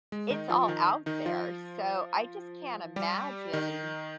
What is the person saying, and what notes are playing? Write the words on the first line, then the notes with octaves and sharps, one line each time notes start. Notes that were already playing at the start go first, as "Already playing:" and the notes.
it's all out there. So, I just can't imagine
G#3
D#3 D#4
F3 F4
D#3 D#4
D#3 D#4
F3 F4
G3 G4
D#3 D#4